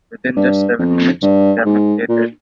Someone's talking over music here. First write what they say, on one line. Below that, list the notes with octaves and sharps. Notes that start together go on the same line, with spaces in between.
Within just seven minutes, Gammage lay dead.
G2
F2
G2
G#2
A#2